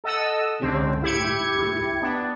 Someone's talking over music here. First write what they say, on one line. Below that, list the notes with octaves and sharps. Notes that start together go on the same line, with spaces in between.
Give up the moody brooding.
A4 D#5 F#5 E6
C#2 D3 C4
E4 G4 G#6 C#7
B3 D4